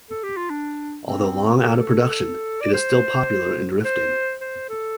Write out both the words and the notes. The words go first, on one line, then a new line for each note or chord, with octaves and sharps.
Although long out of production, it is still popular in drifting.
A4
G4
F4
D4
C4
A4
D5
C5
C5
C5
A4